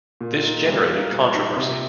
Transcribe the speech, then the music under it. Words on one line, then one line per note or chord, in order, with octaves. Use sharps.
This generated controversy.
A#2
D#4
G3
A#3
A#2
D#4
C3